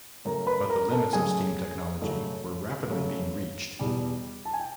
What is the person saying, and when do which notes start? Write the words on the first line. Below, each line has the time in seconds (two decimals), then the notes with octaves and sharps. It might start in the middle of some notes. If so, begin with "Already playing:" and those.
But the limits of steam technology were rapidly being reached.
0.25 F#2 C#3 F#3 A3 A#4 A#5
0.47 B4 B5
0.69 A#4 A#5
0.91 A4 A5
1.13 F#2 C#3 F#3 A3 G#4 G#5
2.01 F#2 C#3 F#3 A3
2.90 F#2 C#3 F#3 A3
3.79 E2 B2 G3
4.45 A5
4.54 G#5
4.60 G5